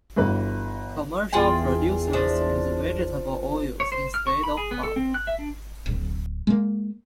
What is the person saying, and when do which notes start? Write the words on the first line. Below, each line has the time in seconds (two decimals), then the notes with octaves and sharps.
Commercial producers use vegetable oils instead of butter.
0.16 G1 E3 F#4 B4
1.33 E2 F4 G#4 G5
2.13 F3 D4
3.80 C#5
3.92 C5
4.14 F6
4.27 C#6
4.43 B5
4.57 G#4
4.71 B3
4.83 A4
4.96 C4
5.14 F#6
5.27 E5
5.39 D4
5.86 D1
6.47 G#3 A#3